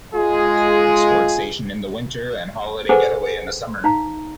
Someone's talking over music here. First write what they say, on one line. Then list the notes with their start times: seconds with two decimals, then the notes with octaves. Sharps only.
Sports station in the winter and holiday get-away in the summer.
0.14 G#3 F4 G#4
2.89 G#4 A4 B4 C5 F#5 G#5
3.84 D#4 F5 A#5